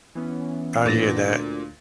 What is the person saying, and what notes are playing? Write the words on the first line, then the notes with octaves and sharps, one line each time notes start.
I hear that.
E3 B3 C#4
D2 A#2 A6 A#6